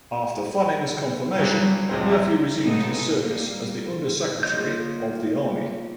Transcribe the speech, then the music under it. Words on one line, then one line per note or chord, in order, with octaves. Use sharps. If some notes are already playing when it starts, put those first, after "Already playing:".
After Fanning's confirmation, Murphy resumed his service as the Under Secretary of the Army.
G2 F#3 G3 C#4
C#2 G#3 C4
E5 A#5
A2 C#3 G#3 B3 D#4 A4
G3 A#3
A#3 F4 C#5 D#5 G6